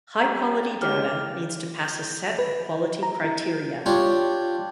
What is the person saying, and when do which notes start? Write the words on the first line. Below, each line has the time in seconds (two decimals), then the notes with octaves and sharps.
High-quality data needs to pass a set of quality criteria.
0.21 G3 A#5
0.82 G2 C#3 G#3 G4 F6
1.85 G6
2.39 B4
3.03 A#5
3.24 E4
3.86 D4 F4 G4 C#5